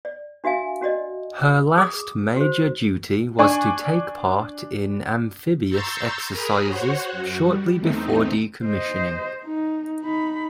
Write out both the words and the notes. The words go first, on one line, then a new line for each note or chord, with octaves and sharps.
Her last major duty was to take part in amphibious exercises shortly before decommissioning.
D5
D4 F#4 E5 F5 G#5
C#4 F#4 D5 D#5
G#4 D6 D#6
F#4 C5
D4 G#5 C#6
A#5 C6 C#6 E6 G6 A6
G#4 A#4 A#5 B5 D#6
F#4 C5 C#5 F#5
F#2 F#4
G3
E2 A3 C4 D#4
C5 D#5
D#4
D#4 B5